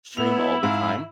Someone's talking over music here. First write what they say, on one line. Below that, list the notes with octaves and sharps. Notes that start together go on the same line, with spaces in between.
stream all the time,
B3 E4 F7
G#2 F5